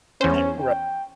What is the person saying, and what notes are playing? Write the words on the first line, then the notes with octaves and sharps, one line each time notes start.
Ye right.
E2 C#4 C5
G5